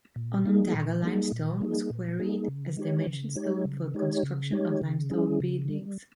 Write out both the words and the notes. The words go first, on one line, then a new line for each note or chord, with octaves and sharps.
Onondaga limestone was quarried as dimension stone for construction of limestone buildings.
A#2
G3 A#3 D#4 G#4
A#2
G3 A#3 D#4 G#4
A#2
G3 A#3 D#4 G#4
A#2
G3 A#3 D#4 G#4
C#3
G#3 D#4 G4 C#5
C#3
G#3 D#4 G4 C#5
C#3
G#3 D#4 G4 C#5
C#3
G#3 D#4 G4 C#5
C#3
G3 C#4 E4 G#4
C#3
G3